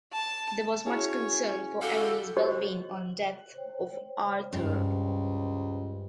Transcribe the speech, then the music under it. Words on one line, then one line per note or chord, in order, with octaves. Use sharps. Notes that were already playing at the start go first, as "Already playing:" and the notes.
There was much concern for Emily's well-being on the death of Arthur.
A5
C#4 E4 F#4 G#4 C#5
E4 F#4 G4 A4 F5
F#4 G4 C5 C#5 D#5
C5 C#5 G5
C#2 G2